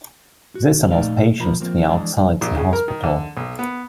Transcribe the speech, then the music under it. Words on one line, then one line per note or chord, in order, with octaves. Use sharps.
This allows patients to be outside the hospital.
F#4
A#2 A3 D#4 D5 D#5 F5
B1 A#2 F3 A#4 B5
F3 A#3 C4
E3 G#3 D4 D#5
A#1
C#3
A#4
D#3
D3
B1
B3